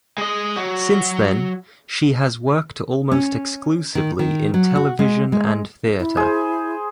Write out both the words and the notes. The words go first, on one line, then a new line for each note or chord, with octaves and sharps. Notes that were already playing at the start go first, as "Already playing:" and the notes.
Since then, she has worked almost exclusively in television and theatre.
G#3 D#5
F#3 F#4
C#4
D#3
D#3
F#3
F#4
G#3
G#3
E4
G#4 C5